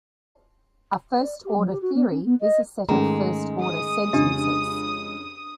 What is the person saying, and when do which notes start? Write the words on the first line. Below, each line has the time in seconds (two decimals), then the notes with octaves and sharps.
A first-order theory is a set of first-order sentences.
1.20 D5
1.45 G4
1.57 F#3
1.70 G4
1.82 F#4
1.95 B3
2.11 C#4
2.25 B3
2.41 D#5
2.89 G#2 D#3 G#3 A3 C#4 G#4 A#5
3.63 D#6
4.13 F2 C#3 D4 G4 D#5